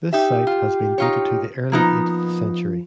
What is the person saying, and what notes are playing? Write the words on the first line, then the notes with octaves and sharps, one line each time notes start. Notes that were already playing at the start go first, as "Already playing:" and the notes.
This site has been dated to the early eighth century.
D#4 G4 E5
F4
D#4 F4 C#5
F3 A#3 B3 D#4